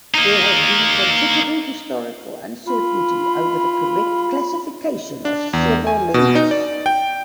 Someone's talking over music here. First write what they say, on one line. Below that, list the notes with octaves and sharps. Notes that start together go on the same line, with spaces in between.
There has been considerable historical uncertainty over the correct classification of several members.
A#3 D#4
F4 B5
D4
E2
G#5
B2
D#4
D5
G5